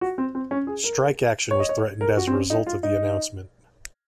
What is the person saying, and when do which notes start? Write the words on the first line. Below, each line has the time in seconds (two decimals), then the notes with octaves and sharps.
Strike action was threatened as a result of the announcement.
0.01 F#4
0.18 C4
0.35 C4
0.51 C#4
0.67 G#4
0.84 A#4
1.51 C#5
1.60 D#5
1.69 C#5
2.01 A#4
2.17 F#4
2.27 C4
2.34 C#4
2.50 D#4
2.67 F4
2.83 D#4